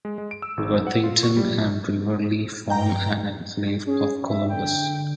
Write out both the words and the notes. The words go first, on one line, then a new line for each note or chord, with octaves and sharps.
Worthington and Riverlea form an enclave of Columbus.
G#3
G#3
D7
E6
G#1
F#2
F#5
F4
C#6
G3
B1
G2 G5 A#5
C#4 G#4
E5
D3 G5